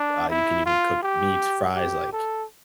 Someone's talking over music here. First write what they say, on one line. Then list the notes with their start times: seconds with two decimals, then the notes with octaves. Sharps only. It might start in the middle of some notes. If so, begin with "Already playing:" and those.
uh, you can even cook meat, fries, like
Already playing: D4
0.29 E4
0.65 F4
1.02 G4
1.75 G4
2.12 A4